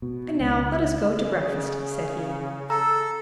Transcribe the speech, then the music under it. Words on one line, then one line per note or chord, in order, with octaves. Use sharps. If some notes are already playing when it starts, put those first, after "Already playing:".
"And now let us go to breakfast," said he.
B2
C#2
C#3
A4 A#5 E6